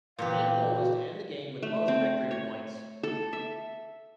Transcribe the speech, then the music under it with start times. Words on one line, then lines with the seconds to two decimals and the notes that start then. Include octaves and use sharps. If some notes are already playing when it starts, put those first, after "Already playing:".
The main goal is to end the game with most Victory Points.
0.19 A#2 E3 G4 F5
0.67 F#4
1.63 A3
1.88 C4
2.31 C#5
3.03 A4
3.33 E5